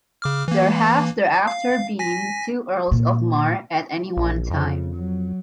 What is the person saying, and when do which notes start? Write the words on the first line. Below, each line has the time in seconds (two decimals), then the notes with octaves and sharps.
There have thereafter been two earls of Mar at any one time.
0.22 C#3 D6 F6
0.48 E3 A#3
1.47 F5
1.99 G#5 A#6 B6
2.91 A#2
4.17 A#1
4.51 F2 C#3
4.96 F#3